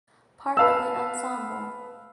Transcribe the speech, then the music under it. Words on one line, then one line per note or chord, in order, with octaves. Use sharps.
Part of the ensemble.
B4 F5 A5 E6